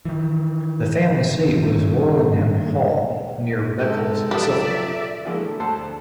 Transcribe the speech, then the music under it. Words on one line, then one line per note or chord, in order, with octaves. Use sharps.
The family seat was Worlingham Hall, near Beccles, Suffolk.
D#3 E3
G2 D#3
C3 G#3 D#4 A4
F3 F#3 B3 F4 G4 D5 E5
D3 E3 F3 G#3 A#3
A3
D2 A4 C5 A5